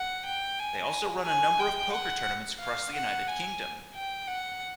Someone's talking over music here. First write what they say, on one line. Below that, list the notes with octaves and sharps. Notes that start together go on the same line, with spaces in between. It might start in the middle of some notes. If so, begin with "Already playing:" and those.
They also run a number of poker tournaments across the United Kingdom.
Already playing: F#5
G5
G#5
G#5
G5
F#5
F5
F#5
G#5
G5
F#5